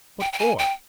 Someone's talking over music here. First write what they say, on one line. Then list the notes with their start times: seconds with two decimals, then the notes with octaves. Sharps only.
What for?
0.20 G5
0.33 G5
0.39 G#5
0.59 G5